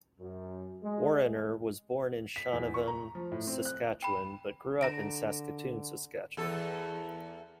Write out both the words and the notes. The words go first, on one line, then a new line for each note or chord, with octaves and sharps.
Warrener was born in Shaunavon, Saskatchewan, but grew up in Saskatoon, Saskatchewan.
F#2
G#3
B6
E2
C#6
A#5
F3
A2
C4
F#6
G5 B5
D3 A#5 A#6 D7
E2 A4